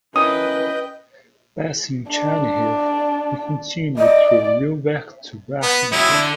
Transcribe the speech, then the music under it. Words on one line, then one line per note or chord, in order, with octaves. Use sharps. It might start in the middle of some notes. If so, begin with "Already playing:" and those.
Passing Chernihiv, he continued through Liubech to Brahin.
C#4 E4 A#4 B4 D#5 G5 D#6
D4
D5 D#5
B3
F#3 E4 G#4
D3